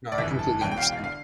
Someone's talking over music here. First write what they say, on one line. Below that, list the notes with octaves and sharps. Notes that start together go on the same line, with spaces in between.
No, I completely understand.
D5
G1 F2 E3 E5
A5
E1 E2 E3 G5
G5
F5
G5
F5
D3 F5